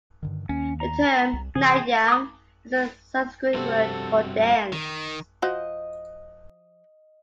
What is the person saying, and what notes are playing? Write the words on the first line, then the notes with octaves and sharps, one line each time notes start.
The term "Natyam" is a Sanskrit word for "dance".
G2 D3 D#3
D#2 D#3 A#3 C#4
A#5
C2
C3 E3 C4 G#4
D6 D#6
G2 C3 C4 F#4 A4
D#3
F3 F#4 C5 D#5